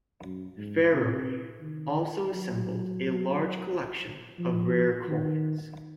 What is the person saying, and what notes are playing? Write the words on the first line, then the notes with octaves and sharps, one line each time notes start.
Ferrary also assembled a large collection of rare coins.
F#2
G#2
C3
D#3
F#3
F3
D#3